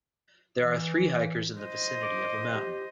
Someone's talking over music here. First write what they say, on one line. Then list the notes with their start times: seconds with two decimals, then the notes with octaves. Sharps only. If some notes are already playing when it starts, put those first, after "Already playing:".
There are three hikers in the vicinity of a mountain.
0.58 E3
1.58 C5 D#5
2.02 D6
2.55 G4